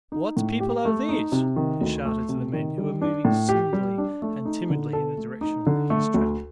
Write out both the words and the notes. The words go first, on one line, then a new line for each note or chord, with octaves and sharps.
"What people are these?" he shouted to the men, who were moving singly and timidly in the direction of his trap.
D#4
A2
G4
A3
D#4
C3
D#3
D2
A3
C3
D#3
G3
D4
A2
G4
G3
D4
A3
D#4
D3
A4
A3
D#4
D3
A3
D2